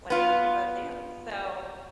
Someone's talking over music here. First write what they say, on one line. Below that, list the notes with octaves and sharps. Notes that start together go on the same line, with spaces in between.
what I need to go do. So
B3 F4